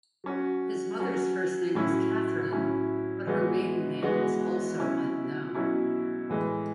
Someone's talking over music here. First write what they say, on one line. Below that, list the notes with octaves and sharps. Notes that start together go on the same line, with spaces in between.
His mother's first name was Katherine, but her maiden name is also unknown.
F#3 C#4 F#4
F#3 C#4 F#4
A2 F#3 C#4 E4
A2 F#3 C#4 E4
E3 G#3 B3 F#4
E3 G#3 B3 F#4
B2 F#3 C#4 E4
B2 F#3 C#4 E4
A2 E3 G#3